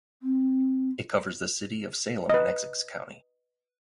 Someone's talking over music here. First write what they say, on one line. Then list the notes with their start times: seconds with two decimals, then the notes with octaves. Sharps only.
It covers the city of Salem in Essex County.
0.23 C4
2.30 B4 D#5